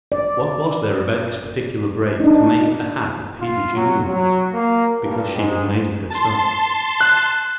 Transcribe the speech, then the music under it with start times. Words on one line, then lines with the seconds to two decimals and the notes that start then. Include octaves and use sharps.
What was there about this particular break to make it the hat of Peter Junior? Because she had made it herself.
0.12 D5
2.20 D4 D#4
3.40 F4
3.74 F#3
4.05 F#3
4.52 A#3
5.02 G2
5.36 G#2
6.10 A5 C6
7.01 F#6